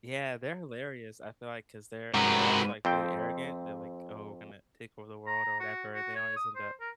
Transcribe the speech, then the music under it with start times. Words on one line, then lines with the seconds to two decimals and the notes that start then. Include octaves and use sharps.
Yeah, they're hilarious I feel like, 'cause they're they're also, like, really arrogant., they're like, "Oh, we're gonna take over the world," or whatever, they always end up
2.14 G#2 C3 F#4 A#4 B4
2.85 F2 C4 G5
5.27 A#5
5.60 F#4
5.95 F#4
6.15 C#5
6.36 D#6
6.56 C5
6.81 A#4